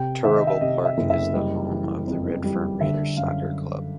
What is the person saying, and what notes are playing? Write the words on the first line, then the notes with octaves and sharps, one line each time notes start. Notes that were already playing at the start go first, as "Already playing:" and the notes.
Turruwul park is the home of the Redfern Raiders Soccer Club.
Already playing: C3 G5
D#3 E5
D#5
E5
C3 D#5
E5
F#1
E5
G3 D#5
E3
F2
G3
D3 E5
F#2 F5